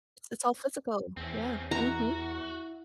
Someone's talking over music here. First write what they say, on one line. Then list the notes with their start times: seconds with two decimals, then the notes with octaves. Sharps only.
It's all physical. Yeah, mhm.
1.17 E2 C4 C#4
1.71 E4 F#4 F#5 A#5